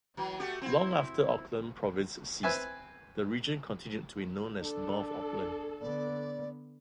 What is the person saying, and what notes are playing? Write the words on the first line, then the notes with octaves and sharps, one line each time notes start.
Long after Auckland Province ceased, the region continued to be known as North Auckland.
E3 F#3
A3 F#4 G4
C4 E4
C4 B4 E5 G#5
D4 A4
D3 B3 D5